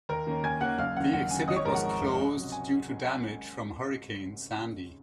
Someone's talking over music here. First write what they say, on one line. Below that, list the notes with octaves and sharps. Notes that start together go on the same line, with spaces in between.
The exhibit was closed due to damage from Hurricane Sandy.
D#2 A#4 A#5
D#3 A#3 C#4
D#2 G#5 G#6
D#3 A#3 C#4 F#5 F#6
F#1 F5 F6
F#2 D#3 F#5
F#1 F#5
F#2 D#3 G#5
G#1 D#5 D#6
C#5 C#6
G#2 F3 G#3 A#4 A#5
F#5
G#1
G#2 F3 G#3
C#2
C3 F#3 C#4
G#5